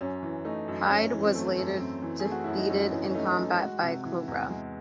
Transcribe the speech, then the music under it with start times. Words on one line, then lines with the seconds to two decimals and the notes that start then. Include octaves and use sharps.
Hyde was later defeated in combat by the Cobra.
0.01 F#2 C#4
0.23 E3
0.45 A3 D#4
0.68 F#2
0.90 F#2 C#4
1.12 E3
1.23 C4
1.35 A3
1.58 F#2
1.80 F#2 C4
2.02 E3
2.20 G#4
2.25 A3
2.32 F#4
2.44 F#2 E4
2.57 D#4
2.69 F#2 C#4
2.92 E3
3.10 C#4
3.15 A3 D#4
3.38 F#2
3.59 G#3 F#4
3.83 C3
4.05 E3
4.28 E2
4.50 G#3